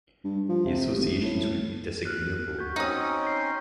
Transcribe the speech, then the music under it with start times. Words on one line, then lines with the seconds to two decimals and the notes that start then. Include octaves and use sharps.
The associations would be disagreeable.
0.25 G2
0.49 F3
0.66 C3
0.96 G#1
1.22 A2
2.05 F6 F#6
2.59 F#4 G6
2.76 C4 C#4 D#4 D#6
3.23 G6 C7